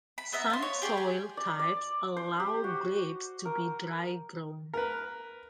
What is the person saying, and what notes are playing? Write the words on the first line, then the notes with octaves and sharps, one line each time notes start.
Some soil types allow grapes to be dry-grown.
B5
B3 D#5 E5 A#5
F4 C6
C#5
G4 G#4 D5 G5
G#5
D5
D5
C5
G4
F#4
A#4
A#4 B4